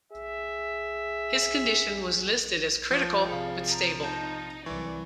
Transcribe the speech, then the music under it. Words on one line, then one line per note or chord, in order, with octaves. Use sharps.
His condition was listed as critical but stable.
G#4 E5
F3 G6
C3 G#4 F5
A#5
D#4 A5 G6
C2 E3 F#3 D5 C#6